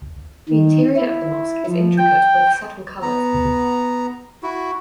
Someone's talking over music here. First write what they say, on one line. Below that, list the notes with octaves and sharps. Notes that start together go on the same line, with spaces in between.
The interior of the mosque is intricate with subtle colors.
D#3
E4
F3
G5
B3 A#5
E4 F#4